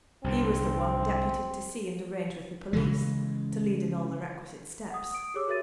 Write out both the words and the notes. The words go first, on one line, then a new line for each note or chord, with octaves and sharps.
He was the one deputed to see and arrange with the police--to lead in all the requisite steps.
C2 G2 D3 C4
C#3 E3 G#3
F#5 D#6
D#6 D7
G4 G#4 C#5 D6 E6
F#4 A#4 C#5 E5 A6 D#7